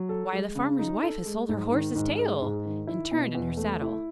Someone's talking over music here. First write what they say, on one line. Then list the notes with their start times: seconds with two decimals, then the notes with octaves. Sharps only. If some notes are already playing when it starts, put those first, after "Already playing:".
'Why, the farmer's wife has sold her horse's tail!' and turned in her saddle.
Already playing: F#3
0.09 A4
0.32 G#3
0.55 C#3
0.79 D#4
1.02 A4
1.25 G#3
1.49 G#2
1.72 D#3
1.95 G#2
2.18 G#3
2.42 G#2
2.65 D#3
2.87 E4
3.11 B2
3.35 E2
3.57 A3
3.82 E4